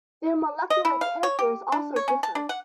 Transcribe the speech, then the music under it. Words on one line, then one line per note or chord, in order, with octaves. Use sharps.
Their molecular characters also differ.
D#5
E4
F5
C#5
G4
D4
C#5
C#4
A5
D4
F#5